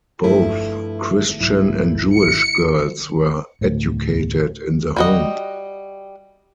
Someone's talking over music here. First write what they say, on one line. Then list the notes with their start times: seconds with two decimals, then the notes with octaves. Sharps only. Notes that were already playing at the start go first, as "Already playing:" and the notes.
Both Christian and Jewish girls were educated in the home.
0.24 G2 F3 A3 E4
1.41 C2 G#2 F#3 E4
2.10 C#7
3.61 D2 A2
4.96 G3 F#4 D#5